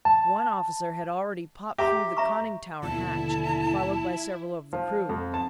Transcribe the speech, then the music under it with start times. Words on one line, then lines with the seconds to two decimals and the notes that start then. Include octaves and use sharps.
One officer had already popped through the conning-tower hatch, followed by several of the crew.
0.05 A5
1.78 G4 E5 A#5 C6
2.17 E5 A#5 C#6
2.83 D#2 B2 D3 F3 E4 A5
4.73 F3
5.09 F2
5.34 A5